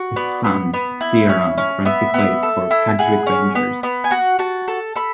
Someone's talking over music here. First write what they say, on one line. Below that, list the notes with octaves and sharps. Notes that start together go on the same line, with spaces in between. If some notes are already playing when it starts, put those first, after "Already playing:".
His son Ciaran currently plays for Carrick Rangers.
Already playing: F#4
B3 D5
B3
B3
E4
C#4
C#4
B3 E5
B3
A4
E4
G#4 F#5
C#4
B3
B3
G#5
F#4 F#5
F#4 A5
A4 A5
A4 B5